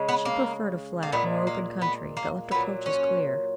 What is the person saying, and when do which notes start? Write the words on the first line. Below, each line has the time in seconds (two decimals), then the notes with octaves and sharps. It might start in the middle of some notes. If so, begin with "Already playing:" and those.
She preferred a flat, more open country that left approaches clear.
Already playing: C#3 G#3
0.09 B3
0.25 A#3
1.03 A#3
1.12 A#2 G#3 B3
1.47 A#3
1.82 B3
2.17 A#3
2.51 A#2 F#3 B3
2.86 C#4